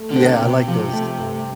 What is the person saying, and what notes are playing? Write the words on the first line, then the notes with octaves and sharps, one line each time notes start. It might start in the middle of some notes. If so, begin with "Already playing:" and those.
Yeah, I like those.
Already playing: A3
D3
C4
C3
B2
C3
C3 F3
A3
G2